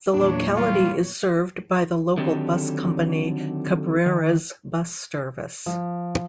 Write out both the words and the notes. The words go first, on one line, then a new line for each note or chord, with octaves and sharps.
The locality is served by the local bus company Cabrera's Bus Service.
E2 A#2 F#3 D4 C#5
G3 F4
D3 D#3 F#3 C4 G4 A4
D#3
F3